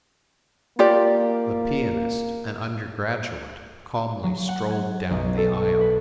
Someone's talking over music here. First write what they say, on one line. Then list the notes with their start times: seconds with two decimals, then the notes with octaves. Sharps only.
The pianist, an undergraduate, calmly strolled down the aisle.
0.79 A#3 F4 G4 D5
4.23 F#3
4.49 F#5
4.71 G#6
5.10 B1
5.37 A4
5.57 C#6
5.81 B4